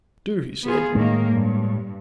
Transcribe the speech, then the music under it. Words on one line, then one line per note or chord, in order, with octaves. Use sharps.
"Do!" he said.
B3 F4 G#4
A2 D#3 G#3 A#3
G2